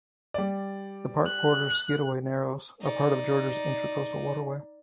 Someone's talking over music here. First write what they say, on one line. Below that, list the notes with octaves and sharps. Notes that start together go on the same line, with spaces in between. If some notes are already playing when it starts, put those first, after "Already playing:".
The park borders Skidaway narrows, a part of Georgia's intracoastal waterway.
G3 D5
F#6
D#4 D5